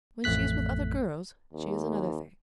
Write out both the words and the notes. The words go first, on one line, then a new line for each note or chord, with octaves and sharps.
When she is with other girls she is another thing.
A1 F2 A3 F#6 B6
D#2